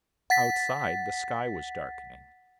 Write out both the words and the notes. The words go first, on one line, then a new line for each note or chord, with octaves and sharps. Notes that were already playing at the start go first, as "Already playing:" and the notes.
Outside the sky was darkening.
F#5 A6 B6